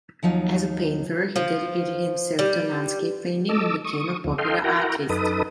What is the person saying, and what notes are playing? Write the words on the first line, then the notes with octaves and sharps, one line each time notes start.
As a painter, he dedicated himself to landscape painting and became a popular artist.
D#2 F3 F#3 D#4
F3
G3
A4 D#5 D6 E6
C#6 D#6
D2 F3
A4 D#5 F5 G5 C6
E4 F#4 A#4 F#5 G5 A#5
F#2 D#4 A4 B4 D#6